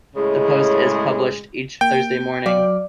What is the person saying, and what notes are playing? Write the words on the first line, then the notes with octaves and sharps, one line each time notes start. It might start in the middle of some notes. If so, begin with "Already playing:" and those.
The Post is published each Thursday morning.
A2 C#3 G#3
A#3 G5
F#3 D5 F5